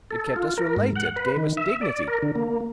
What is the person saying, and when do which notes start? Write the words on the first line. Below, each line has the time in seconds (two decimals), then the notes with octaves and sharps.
It kept us related--gave us dignity....
0.11 A4
0.36 F4
0.58 A#4
0.77 G#2
0.95 F#5
1.16 B4
1.36 D#3
1.57 E5
1.81 D5
2.07 A#4
2.22 D3
2.35 A#3